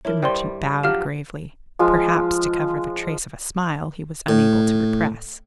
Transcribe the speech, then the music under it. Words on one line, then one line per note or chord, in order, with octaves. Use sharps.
The merchant bowed gravely, perhaps to cover the trace of a smile he was unable to repress.
D4 E4 A#4 C#5
G2 G3 C5 D5 C6
F3 F#3 D4 G4 F5 F6
F3 G#3 F4
A2